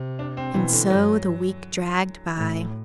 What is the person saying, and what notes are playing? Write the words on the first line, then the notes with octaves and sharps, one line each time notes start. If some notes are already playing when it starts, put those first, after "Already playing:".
And so the week dragged by....
Already playing: C3
D4
C4
B2 E3
D3
G2 F#3
A2